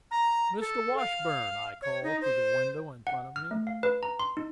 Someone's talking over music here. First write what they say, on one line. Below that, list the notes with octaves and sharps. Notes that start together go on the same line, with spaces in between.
"Mr. Washburn," I called through the windows in front of me.
A#5
A4
F5
C#5
D#4
C5
F#5
F6
A3
F5
B4
A#5
C6
D#4